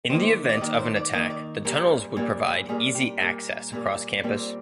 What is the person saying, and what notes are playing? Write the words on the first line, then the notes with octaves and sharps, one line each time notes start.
In the event of an attack, the tunnels would provide easy access across campus.
D#3 A#3 C5
C5
D5
D#5
D#3 A#3 D5
C5
D5
D#3 A#3 D#5
D5
A#2 G3 A#3 A#4
A#2 G3 A#3
A#2 G3 A#3 G#4
G4
A#2 G3 A#3
A#2 G3 A#3
A#2 G3 A#3 C4